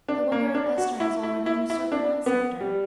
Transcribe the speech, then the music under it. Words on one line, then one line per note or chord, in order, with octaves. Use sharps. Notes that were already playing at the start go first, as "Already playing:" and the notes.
I wonder if Esther has already usurped my sceptre.
D4
A#3
D4
F#4
E4
E4
E4
E4
D4
B3
G3